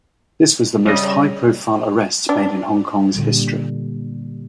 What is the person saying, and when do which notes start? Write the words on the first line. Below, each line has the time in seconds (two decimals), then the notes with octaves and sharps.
This was the most high-profile arrest made in Hong Kong's history.
0.86 C#3 G3 D#5
2.29 D4
3.15 A#2 D3 G3